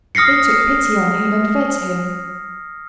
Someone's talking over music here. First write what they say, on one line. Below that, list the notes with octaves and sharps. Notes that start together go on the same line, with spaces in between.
They took pity on him and fed him.
D#6 F6 A#6 C7 C#7